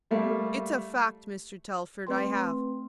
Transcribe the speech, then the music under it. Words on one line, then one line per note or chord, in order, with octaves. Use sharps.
It's a fact, Mr. Telford--I have.
G3 A3 A#3
A3 C4 B4 G5 C6